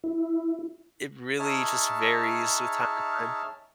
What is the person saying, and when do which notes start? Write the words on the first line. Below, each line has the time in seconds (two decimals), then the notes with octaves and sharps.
it really just varies with time to time.
0.04 E4
1.39 D#4 G#4 C#5 E5 A5 F6